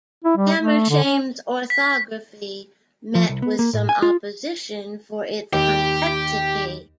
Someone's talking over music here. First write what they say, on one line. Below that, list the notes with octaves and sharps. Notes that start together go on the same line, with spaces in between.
Hammershaimb's orthography met with some opposition for its complexity.
E4
G3
A3
D3
C#4
B6
F3
C2
B3
A#3
A2
G#5
F4
D#2 G4